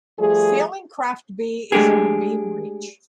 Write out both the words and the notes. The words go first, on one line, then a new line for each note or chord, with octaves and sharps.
Sailing craft B is on a beam reach.
F3 G3 A3 G#4
G#3 A3 D4 G4 G#4